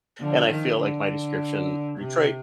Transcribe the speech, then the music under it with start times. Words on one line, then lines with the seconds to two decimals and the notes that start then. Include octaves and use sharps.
and I feel like my description Detroit
0.20 D3 F3
0.50 D#3
0.80 D3
1.98 C3